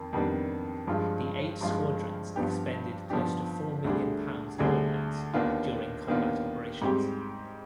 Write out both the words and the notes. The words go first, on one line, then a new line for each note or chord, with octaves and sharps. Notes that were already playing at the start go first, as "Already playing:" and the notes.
The eight squadrons expended close to four million pounds of ordnance during combat operations.
Already playing: F2 D#3
F2 D#3 G3 B3 D4
G2 F3 G#3 D4 F4
G2 F3 G#3 D4 F4
G2 F3 B3 D4 G4
G2 F3 B3 D4 G4
D2 D3 G3 D4 G#4
D2 D3 G3 D4 G#4
D#2 D#3 B3 D4 F4
D#2 D#3 B3 D4 F4
G#2 G3 C4 G4